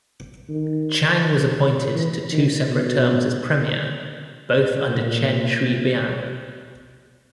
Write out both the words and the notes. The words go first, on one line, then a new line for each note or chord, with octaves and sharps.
Chang was appointed to two separate terms as Premier, both under Chen Shui-bian.
D#3
E3
D#3
B2
A#2